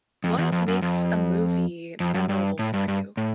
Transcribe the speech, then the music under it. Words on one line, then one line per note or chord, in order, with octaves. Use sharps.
What makes a movie memorable for you?
F2
E2
F2
F#2
F2
F2
F#2
G2
A2
G2
G2
A2